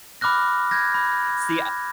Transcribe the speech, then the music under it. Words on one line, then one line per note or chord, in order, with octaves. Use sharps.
See, uh
B5 D6 F6 F#6 A#6
G6 G#6 A#6
B5